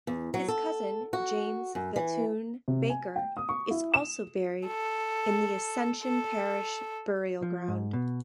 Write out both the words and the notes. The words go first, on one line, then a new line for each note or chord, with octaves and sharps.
His cousin James Bethune-Baker is also buried in the Ascension Parish Burial Ground.
E2
F#3
A4
F#4
F#2
E3
C3
G#5
G5
D#6
C#6
E4
E7
A4
A4
F3
G#2
B2